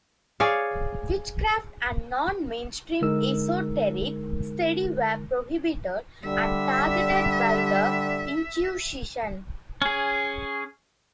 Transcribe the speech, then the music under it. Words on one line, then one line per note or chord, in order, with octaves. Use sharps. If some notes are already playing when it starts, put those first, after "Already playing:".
Witchcraft and non-mainstream esoteric study were prohibited and targeted by the Inquisition.
G#4 C#5 D5 F5
D3 G#3 D#4 A#4 E6
D3 G3 E5
C#4 G#4